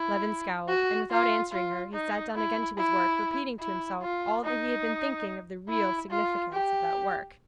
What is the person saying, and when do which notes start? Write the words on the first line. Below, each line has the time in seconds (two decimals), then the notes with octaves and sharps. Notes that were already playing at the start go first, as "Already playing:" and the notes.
Levin scowled, and without answering her, he sat down again to his work, repeating to himself all that he had been thinking of the real significance of that work.
Already playing: E4
0.68 F#4
1.11 F4
1.52 F4
1.93 D#4
2.35 E4
2.77 E4
3.60 E4
4.02 F4
4.44 D#4
5.69 E4
6.10 F4
6.53 G4